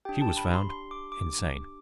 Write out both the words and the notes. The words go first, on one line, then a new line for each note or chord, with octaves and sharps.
She was found insane.
D4 G4 G5
A5
B5
C6
C6
D6
D6